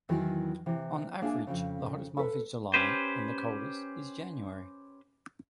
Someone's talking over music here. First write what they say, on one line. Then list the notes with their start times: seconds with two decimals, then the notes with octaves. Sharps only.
On average, the hottest month is July, and the coldest is January.
0.09 E2 D#3 E3 F#3
0.66 C3 E3
1.22 A#3 D4 G#4 E5 G#5
1.47 F2 G#2 C#3
2.17 A4 B4
2.74 C#4 G4 B4 C5